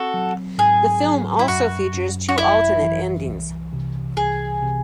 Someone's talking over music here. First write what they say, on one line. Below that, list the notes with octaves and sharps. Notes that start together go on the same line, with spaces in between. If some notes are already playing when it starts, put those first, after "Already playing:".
The film also features two alternate endings.
Already playing: C4 F#4 A4
F#3
G#2 G#4
F#3
E4
F#2 F#4
F#2
F#4
G#1 E4
E3
C2
C3
C2 G#4
C3